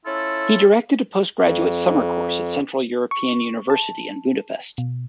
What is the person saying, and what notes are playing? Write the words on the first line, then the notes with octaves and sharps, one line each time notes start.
He directed a postgraduate summer course at Central European University in Budapest.
C#4 E4 F4 A4
F2
C#6
A5
B2